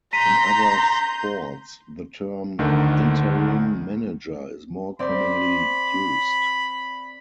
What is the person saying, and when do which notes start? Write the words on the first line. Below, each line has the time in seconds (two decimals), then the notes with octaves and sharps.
In other sports, the term "interim manager" is more commonly used.
0.13 A#5 C6 G6 B6 D#7
2.59 D2 D3 D#3
4.99 C4 D5 B5